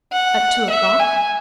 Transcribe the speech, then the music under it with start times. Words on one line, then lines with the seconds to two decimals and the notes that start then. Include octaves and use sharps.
"At two o'clock."
0.13 F#5
0.70 E5
0.99 G#5